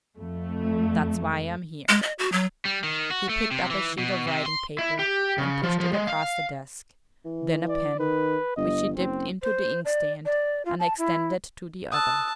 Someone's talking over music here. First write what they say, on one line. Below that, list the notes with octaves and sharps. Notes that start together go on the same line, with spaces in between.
"That's why I'm here." He picked up a sheet of writing paper and pushed it across the desk--then a pen, which he dipped into the inkstand, and extended to the other.
F2 A3
G#3
D#5
F#4
F#3
G3
D#3
F#4
A3
C3
E3
B2
C3
C6
E4
G4
C#3
F3
F3
G#3
F5
E3
D5
D#3 B4
G1 D#5
F#1 C4
C5
D5
D5
F4
A5
E4
A5 D#6 E6 F#6